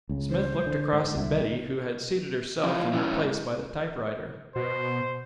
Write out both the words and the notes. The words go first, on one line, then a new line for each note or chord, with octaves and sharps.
Smith looked across at Betty, who had seated herself in her place by the typewriter.
C#2 C#3
C5
D3
G#2
C2 D3 E5
F3 E4
G#2 C#4 E4
B2 C5